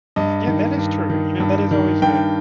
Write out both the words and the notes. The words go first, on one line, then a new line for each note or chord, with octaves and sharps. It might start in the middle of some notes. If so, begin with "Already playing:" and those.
Yeah, that is true, you know, that is always, uh,
G2 D#5
D#3
G2
D#3
G2
D#3
G2 G5